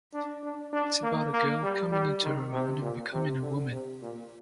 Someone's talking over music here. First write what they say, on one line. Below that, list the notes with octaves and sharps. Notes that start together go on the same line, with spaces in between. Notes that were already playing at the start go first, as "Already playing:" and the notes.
It's about a girl coming into her own and becoming a woman.
D4
D4
D4
A#3
A#3
G3
G3
D#3
C3
A#2
C3
D3
C3
A#2